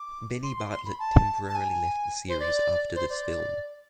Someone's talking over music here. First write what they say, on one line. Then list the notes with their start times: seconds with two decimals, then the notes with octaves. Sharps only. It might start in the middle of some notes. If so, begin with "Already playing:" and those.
Bennie Bartlett temporarily left the series after this film.
Already playing: D6
0.43 C6
0.57 C6
0.71 C6
0.86 B5
0.99 A5
1.48 A5
1.55 G#5
2.29 C5
2.40 D5
2.95 C5
3.10 D5